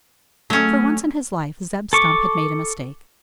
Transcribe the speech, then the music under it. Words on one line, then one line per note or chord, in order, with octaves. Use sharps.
For once in his life, Zeb Stump had made a mistake.
F#3 A3 C#4
A4 C#6 D6